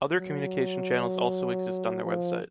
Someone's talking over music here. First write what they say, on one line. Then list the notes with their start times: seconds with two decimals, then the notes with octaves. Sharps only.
Other communication channels also exist on their website.
0.17 F#3
2.05 F3